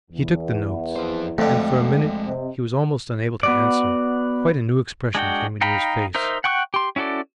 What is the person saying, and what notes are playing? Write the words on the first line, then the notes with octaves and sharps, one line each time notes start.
He took the notes, and for a minute he was almost unable to answer, quite a new expression came into his face.
E2
F2 C5
F2 D3 G#3 A3 G5
C3 C4 D#5
B3 F#4 D5
G#3 D4 F#4 G5
D#4 F5 G5 A#5 B5
D#4 A#4 C5 E5
F#5 G5 C#6 D6 F#6
G4 C6
C#4 E4 F#4 A4 D5